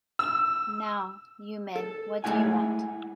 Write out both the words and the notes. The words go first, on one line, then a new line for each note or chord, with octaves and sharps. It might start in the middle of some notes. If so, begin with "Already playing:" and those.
Now, you men, what do you want?
E6
A4
G#3 A3 E4 F#5 G#5